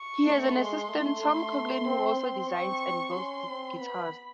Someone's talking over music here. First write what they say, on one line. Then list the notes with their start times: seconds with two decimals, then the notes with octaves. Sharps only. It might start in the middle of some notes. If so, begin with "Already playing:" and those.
He has an assistant, Tom Coughlin, who also designs and builds guitars.
Already playing: C#6
0.24 A3
0.56 G#3 C6
0.89 A3
1.20 A3
1.85 C4
2.17 C4
2.50 C4 C#6
3.14 C#4 C6
3.47 C4
3.79 B3 B5